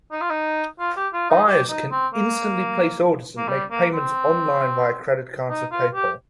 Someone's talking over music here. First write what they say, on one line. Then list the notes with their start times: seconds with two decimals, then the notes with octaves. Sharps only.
Buyers can instantly place orders and make payments online via credit cards or PayPal.
0.12 D#4
0.21 F4
0.30 D#4
0.79 F4
0.96 G4
1.13 F4
1.30 D#4
1.47 G4
1.69 D#4
1.91 C4
2.14 A#3
3.37 A#3
3.48 G3
3.71 A#3
3.93 C4
5.50 D#4
5.72 F4
5.95 G4